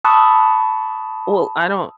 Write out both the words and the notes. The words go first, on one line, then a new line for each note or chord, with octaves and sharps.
Well, I don't
A5 B5 C#6 D#6 E6 F#6